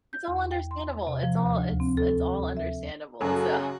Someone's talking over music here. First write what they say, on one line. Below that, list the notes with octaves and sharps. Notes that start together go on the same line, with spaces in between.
It's all understandable, it's all it's it's all understandable, so,
G6
E2
G5
C6
C3
F3
D#2
D2
C4
A4
E5
F#2 C#3 F#3 F#4 A4